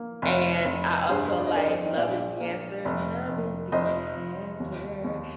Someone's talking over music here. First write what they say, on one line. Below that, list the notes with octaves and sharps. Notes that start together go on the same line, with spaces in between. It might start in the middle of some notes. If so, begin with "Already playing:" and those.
And I also like Love Is the Answer. Love is the Answer.
Already playing: A#3
F1
F1
G2 G#4 C5
D5
D#5
G2 A#4 D5
C5 D#5
A#1 D5 F5
A#3
F1
F1
F1 C5 D#5
F1
D#2
D#2